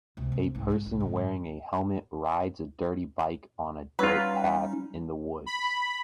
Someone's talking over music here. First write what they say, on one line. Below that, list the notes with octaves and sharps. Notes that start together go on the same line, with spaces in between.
A person wearing a helmet rides a dirty bike on a dirt path in the woods.
C#2 C3
C4
C2 G#2
G#3 D4
E1 C2
G#2 C#3
F#3 G3 C#4 D#4 F4 B4
B5